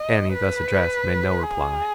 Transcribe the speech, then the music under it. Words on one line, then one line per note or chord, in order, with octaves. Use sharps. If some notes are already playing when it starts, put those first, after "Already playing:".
Annie, thus addressed, made no reply.
Already playing: D#5
B4
G#4